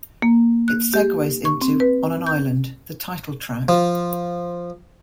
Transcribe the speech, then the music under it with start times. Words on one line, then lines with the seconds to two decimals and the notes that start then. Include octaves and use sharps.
It segues into "On an Island", the title track.
0.22 A#3
0.68 F#6
0.94 G4
1.45 C#6
1.61 C4
1.80 B4
2.27 G6
3.68 F3